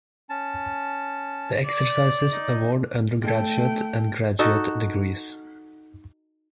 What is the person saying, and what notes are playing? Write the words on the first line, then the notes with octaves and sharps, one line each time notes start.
The exercises award undergraduate and graduate degrees.
C#4 A5
D5
D#4 D#5
A3 G5
D#4 F#4 A4